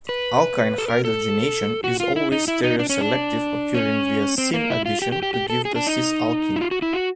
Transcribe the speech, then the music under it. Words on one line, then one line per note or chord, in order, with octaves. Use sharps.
Alkyne hydrogenation is always stereoselective, occurring via syn addition to give the cis-alkene.
B4
A4
A#4
A4
F#4
F4
E4
D#4
E4
D#4
D4
C#4
D4
C#4
C4
A#3
E4
F4
G4
G4
G4
G4
A4
G#4
D4
D#4
E4
F4
F#4
E4
F#4